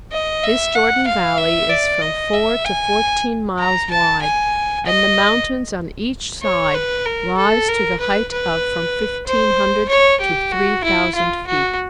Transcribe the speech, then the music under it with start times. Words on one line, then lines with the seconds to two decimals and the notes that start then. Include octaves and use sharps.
This Jordan valley is from four to fourteen miles wide and the mountains on each side rise to the height of from fifteen hundred to three thousand feet.
0.12 D#5
0.43 E5
0.75 F#5
1.07 F5
1.38 E5
1.70 D5
2.02 D#5
2.34 E5
2.65 G#5
3.59 A#5
3.91 A5
4.22 G#5
4.85 D#5
6.43 C#5
6.74 B4
7.06 A#4
7.37 A4
7.69 A#4
8.00 B4
8.32 B4
9.27 C5
9.89 C#5
10.21 G4
10.52 F#4
10.84 E4
11.15 F4
11.47 F#4